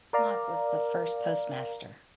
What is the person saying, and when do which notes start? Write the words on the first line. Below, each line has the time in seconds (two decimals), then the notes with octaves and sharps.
Smock was the first postmaster.
0.13 A#4 D5 F5 A#5